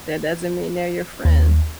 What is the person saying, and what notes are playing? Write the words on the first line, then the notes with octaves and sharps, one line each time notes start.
that doesn't mean they're your friend.
D#2